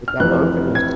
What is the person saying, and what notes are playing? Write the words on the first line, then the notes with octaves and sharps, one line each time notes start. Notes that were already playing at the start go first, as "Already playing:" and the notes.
but that openness
F6
F1 F2 C3 E3 F#6
G#6